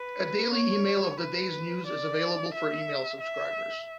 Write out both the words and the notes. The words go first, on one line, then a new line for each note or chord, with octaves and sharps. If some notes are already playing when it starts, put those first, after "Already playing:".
A daily email of the day's news is available for email subscribers.
Already playing: B4
C#5
B4
D5
E5
E5